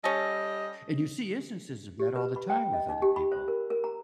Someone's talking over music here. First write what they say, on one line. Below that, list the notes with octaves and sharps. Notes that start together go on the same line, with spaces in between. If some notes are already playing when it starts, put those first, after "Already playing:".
And you see instances of that all the time with other people.
G3 C#4 A4 D#5
G4
B4
B5
G5
D#5
D#4
G4
B5
C5
A#4
A#4
A#5